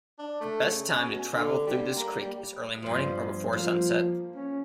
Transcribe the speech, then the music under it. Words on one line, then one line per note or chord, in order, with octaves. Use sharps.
The best time to travel through this creek is early morning or before sunset.
D4
A3
C#3
C#4
B2
D3
G3
A#3
G3
G2 F3 B3
F3 A#3
C#4